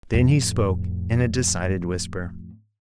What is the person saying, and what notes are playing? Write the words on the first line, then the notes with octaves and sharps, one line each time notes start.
Then he spoke in a decided whisper.
F2 A2